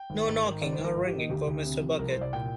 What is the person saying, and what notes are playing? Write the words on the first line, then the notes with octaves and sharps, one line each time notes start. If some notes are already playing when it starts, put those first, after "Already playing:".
No knocking or ringing for Mr. Bucket.
Already playing: G5
G#1
G#2
D#3
G#1 D5
C5
G#1
A#4
G#2 F4
G4
D#3
D#4
D2 G4
D2
C3
F3
C2 A#4
C5
C2
D5
A#2 G5